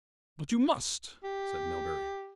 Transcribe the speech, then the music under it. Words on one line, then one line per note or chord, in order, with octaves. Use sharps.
"But you must," said Melbury.
G4